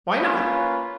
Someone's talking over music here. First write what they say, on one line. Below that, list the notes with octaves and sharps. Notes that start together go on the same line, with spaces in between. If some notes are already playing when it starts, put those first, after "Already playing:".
"Why not?"
A#3 C#4 F4 B4